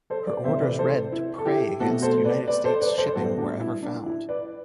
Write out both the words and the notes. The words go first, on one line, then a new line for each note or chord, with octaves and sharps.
Her orders read to prey against United States shipping wherever found.
A4 C5
B4 D5
C3 E3 A3 C4 C5 E5
B4 D5
A4 C5
E4
A4
E4 G4
B2 A3 C4 F#4 A4
A4 C5
B4 D5
B4 D5
A4 C5
B4 D5
A4 C5
A2 G3 B3 F#4 A4
D4
E4
D4
E4
B4 D5